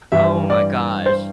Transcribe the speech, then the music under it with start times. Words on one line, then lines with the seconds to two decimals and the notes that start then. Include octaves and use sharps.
Oh my gosh.
0.12 G2 E3 G3 E5
0.50 D5
1.06 C5